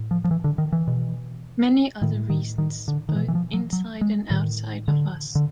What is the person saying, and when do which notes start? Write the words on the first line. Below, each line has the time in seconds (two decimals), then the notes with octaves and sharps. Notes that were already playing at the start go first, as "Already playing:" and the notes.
Many other reasons both inside and outside of us.
Already playing: A2
0.11 F3
0.24 F3
0.31 E3
0.44 D3
0.58 D#3
0.73 E3
0.88 B2
2.02 A2 D#3
2.30 D#3
2.58 D#3
2.88 D3
3.09 D#3
3.16 B2 E3
3.28 E3
3.35 F3
3.54 F#3
3.73 F#3
4.01 G#3
4.30 A2 D#3
4.88 D3
5.35 D3